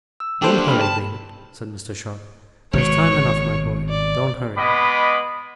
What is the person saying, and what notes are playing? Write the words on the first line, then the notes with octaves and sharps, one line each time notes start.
'Don't hurry, David,' said Mr. Sharp. 'There's time enough, my boy, don't hurry.'
E6
A#3 D4 G4 A4 C5
G5 B5 F6
A5
G#1 B2 C#5 C#6
D5
G#3 B3 D#5 B5 D6